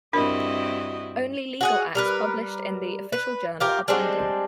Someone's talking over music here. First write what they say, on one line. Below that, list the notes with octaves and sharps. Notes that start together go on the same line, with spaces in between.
Only legal acts published in the Official Journal are binding.
G2 C4 D4 E4 F#4 A#4 D#5
F#4 G#4 F#5
G3 A#4 B4
B4
F4 G4 A#4
G3 G#3 C4 D4